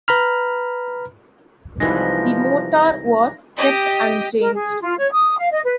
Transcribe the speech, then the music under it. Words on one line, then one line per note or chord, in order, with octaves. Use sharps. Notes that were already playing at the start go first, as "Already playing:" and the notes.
The motor was kept unchanged.
B4 A#5 B5 F6
C2 E3 F3 G#3 D#4 B4 A#6
G4 D#5
A#4
G#4
F4
C#5
D#6
F5
D#5
B4